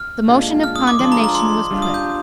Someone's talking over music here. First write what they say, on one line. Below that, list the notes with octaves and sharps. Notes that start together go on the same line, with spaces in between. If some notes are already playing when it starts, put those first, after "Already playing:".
The motion of condemnation was put.
Already playing: F6
A#2 G#3 D4 F4
F6
D#6
D6
F3 G#3 D4 F4 C6
A#5
A#5
C6
G3 D4 F4
D#6
G6